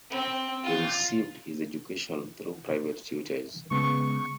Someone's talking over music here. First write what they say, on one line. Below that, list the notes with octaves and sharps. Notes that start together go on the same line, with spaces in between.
He received his education through private tutors.
C4
F4
C#3 G#3 B3 C#6